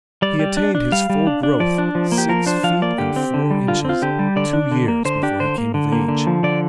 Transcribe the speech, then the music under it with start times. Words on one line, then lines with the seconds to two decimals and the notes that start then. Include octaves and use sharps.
He attained his full growth, six feet and four inches, two years before he came of age.
0.22 G3 D5
0.39 G3
0.57 D4
0.75 D4
0.92 G3 F5
1.10 G3
1.27 D4
1.43 D4
1.60 F3 D5
1.78 D4
1.95 F3
2.12 A#3
2.18 G4
2.29 F3 A#4
2.46 D4 C5
2.63 F3 F5
2.82 A#3 D5
2.98 D3 G4
3.16 C4
3.34 D3
3.50 G3
3.68 D3 F4
3.85 C4 F4
4.02 D3 G4
4.19 G3
4.36 D3 D5
4.53 D4
4.72 D3
4.88 A#3
5.05 D3 C5
5.23 D4 G4
5.40 D3 C5
5.58 A#3
5.74 D3
5.92 A#3
6.08 D3
6.27 F3
6.43 D3 D5